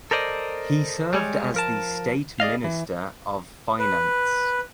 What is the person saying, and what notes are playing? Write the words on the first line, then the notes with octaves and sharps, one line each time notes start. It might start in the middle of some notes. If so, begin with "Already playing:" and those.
He served as the State Minister of Finance.
A4 A#4 C5 D5 D#5
G3 G#3 C#5
F3 A#4 A5
G#4 D5 D#5 F5
E3
B4